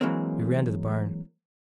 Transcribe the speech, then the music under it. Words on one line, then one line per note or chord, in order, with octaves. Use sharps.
We ran to the barn.
E3 F#3 G#3 A#3 C4